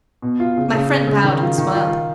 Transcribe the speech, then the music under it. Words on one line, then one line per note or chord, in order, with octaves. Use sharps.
My friend bowed and smiled.
B2
F4
C#3
C#3
C#3
C#3
D#3
F4
D#3
F4